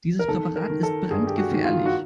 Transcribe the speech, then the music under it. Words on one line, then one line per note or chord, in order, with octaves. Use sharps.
Dieses Präparat ist brandgefährlich.
A#4
D#3 A4
A#4
D#3
A4
G2 G#4
G4
F#4
D#3
F4
F#4